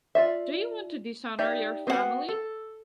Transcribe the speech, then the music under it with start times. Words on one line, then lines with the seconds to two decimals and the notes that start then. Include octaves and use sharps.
Do you want to dishonor your family?
0.15 F4 D5 E5
1.39 D#4 G4 D5 E5
1.87 B3 C4 F#4 A4 F#5
2.29 A4